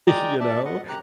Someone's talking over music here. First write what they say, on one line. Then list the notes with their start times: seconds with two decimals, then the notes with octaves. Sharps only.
you know?
0.08 G#3 D5 G5 A#5 D#6
0.40 D5 E5 A5
0.65 D#5 F#5
0.89 F#2 G4 A#5 F#6